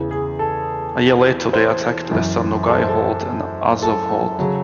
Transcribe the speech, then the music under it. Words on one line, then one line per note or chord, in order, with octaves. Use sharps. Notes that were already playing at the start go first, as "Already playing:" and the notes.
A year later they attacked Lesser Nogai Horde and Azov Horde.
Already playing: E2 C#3 E3
G#4
A4
C5
F#2 E3
A4
C5
A4
A4
C#3 F#3